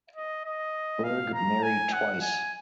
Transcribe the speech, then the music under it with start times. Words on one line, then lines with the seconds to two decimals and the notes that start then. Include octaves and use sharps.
Berg married twice.
0.16 D#5
0.45 D#5
1.04 F5
1.34 A#5
1.63 G#5
1.93 F#5
2.21 G#5